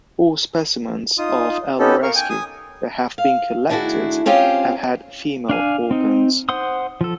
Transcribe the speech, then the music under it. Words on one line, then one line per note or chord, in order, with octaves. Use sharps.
All specimens of "L. maerski" that have been collected have had female organs.
D#4 F4 D#6
B3 C#4 D#4 G4 A4
A#4 F5 C#6
G5 G#5
G#5 D#6
F5
D#3 A3 D4 E4 F#4 G#4
C4 C#4 F4 G4 G#4
D4 F5 G#5
C4 D#4
C5 F#5 C6 D#6
F3 A4